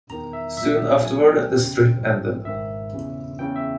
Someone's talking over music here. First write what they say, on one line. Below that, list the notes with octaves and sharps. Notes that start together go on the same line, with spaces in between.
Soon afterward the strip ended.
E2 D#3 A#5
E5
B1 A#2 E5
B1 B2 G#5
G5
E2 C#3 E3
A#1 G#2 E3
G#1 G#2 D#3 E5
E2 C#3 E3
E2 C#3 E3 G5
E5